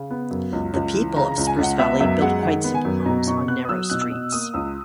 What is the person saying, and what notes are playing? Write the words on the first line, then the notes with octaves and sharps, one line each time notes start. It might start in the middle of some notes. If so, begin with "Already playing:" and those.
The people of Spruce Valley built quite simple homes on narrow streets.
Already playing: C#3
B3
F#2
C#2
C#2
E3
C#3 A#5
A#5
C#2
G#5
C#2 F#5
B3 E5
F#2 E5
G#3 F#5
D#3 F#5
B3
G#5
F#2
B2 A#5
B2 C#6
B3 F#6
D#6
F#3 E6
B2 F#6
E6
B2
A#3 D#6
C#2 E6